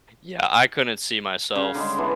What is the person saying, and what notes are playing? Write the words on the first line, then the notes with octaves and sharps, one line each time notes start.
Yeah, I couldn't see myself
C#3
D3 G3 G#3
E3 B3 D4